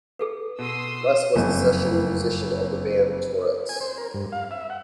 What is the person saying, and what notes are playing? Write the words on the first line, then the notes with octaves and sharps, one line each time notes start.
Les was a session musician of the band "Tourettes".
G#4 A4 B4
B2 C6 D#6 E6
F#1 F2
G#5
C5
A#4
G2
F5
E5
F#5